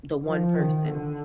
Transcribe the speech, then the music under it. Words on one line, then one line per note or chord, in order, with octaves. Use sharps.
the one person.
F3
D#3
D3